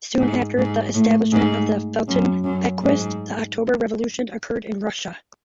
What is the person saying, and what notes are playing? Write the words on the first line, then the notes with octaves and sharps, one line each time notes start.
Soon after the establishment of the Felton Bequest, the October Revolution occurred in Russia.
G#2
G#2
A2
G#2
F#2
F#2
G#2